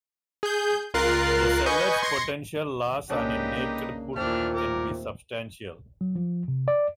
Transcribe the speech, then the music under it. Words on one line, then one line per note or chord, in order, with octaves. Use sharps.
The seller's potential loss on a naked put can be substantial.
G#4 G6
C#2 F4 A#4 F#6 A6 C7
B4 D#5 G#5 C#6 G6
C6 G#6 A#6 C#7
C2 C#3 A#3 D4 D#4 G4 B4
D#2 A#2 E3 A3 C4 D4 F6
A#4 D6
F#3
F3
C3
D5